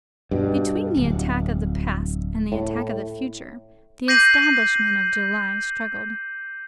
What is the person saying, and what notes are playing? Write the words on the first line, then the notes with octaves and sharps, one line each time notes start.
Between the attack of the past and the attack of the future, the establishment of July struggled.
G2 B2
D1
A2
D6 G6 A#6 C7 D#7 F#7